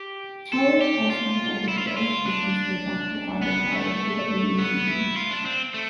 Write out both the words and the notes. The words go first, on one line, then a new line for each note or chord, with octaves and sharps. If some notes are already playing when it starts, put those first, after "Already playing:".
Howarth also provided the illustrations for "Doctor Adder" by K. W. Jeter.
Already playing: G4
A4
G4
F4
E4
F4
E4
F4
D4
B3
A3
B3
E4
F4
D4
C4
A3